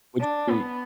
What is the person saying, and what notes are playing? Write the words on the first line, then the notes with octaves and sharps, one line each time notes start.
Would you
D4
B3